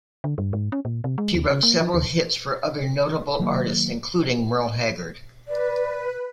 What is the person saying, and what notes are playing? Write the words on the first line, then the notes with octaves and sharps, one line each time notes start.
She wrote several hits for other notable artists, including Merle Haggard.
D3
G2
G#2
C#4
A#2
C3
G#3
D#2
C#3
A#3
F3
D#2
D#3 F#3 A#3
B4 D5